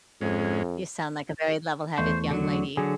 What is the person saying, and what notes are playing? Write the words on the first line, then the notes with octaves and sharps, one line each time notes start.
You sound like a very level-headed young lady.
F2 G#2 G#3 C#4
E2 A3 C5 C#6
D3 F#3
D3 F#3 G#4